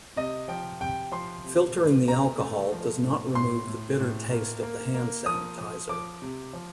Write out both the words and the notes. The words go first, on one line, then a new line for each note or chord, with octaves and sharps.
Filtering the alcohol does not remove the bitter taste of the hand sanitizer.
C3 D#5
F3 G5
C3 G5
F3 C6
C3
A3
C3 A#5
A3
F3
A2
A2 C6
A2
A2
A#3
A#3
A#3
F3 D#6
F3
F3 D6
C3
F3